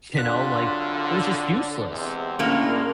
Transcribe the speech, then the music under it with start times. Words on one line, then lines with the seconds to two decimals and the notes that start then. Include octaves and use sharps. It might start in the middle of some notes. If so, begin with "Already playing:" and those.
you know, like, it was just useless.
0.15 C2 D3 F#3 F4 F#6 B6
1.90 E2 C3 G#3 C4
2.39 D2 A2 G#3 A#3 C#4 D4